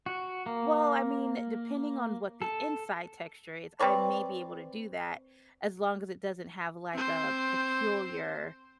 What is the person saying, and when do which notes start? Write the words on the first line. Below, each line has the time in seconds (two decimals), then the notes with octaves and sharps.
"Well, I mean, depending on what the inside texture is, I may be able to do that as long as it doesn't have like a peculiar
0.06 F#4
0.46 A#3
2.42 A4
3.79 C4 B4 C#5 D5
6.94 C4 C5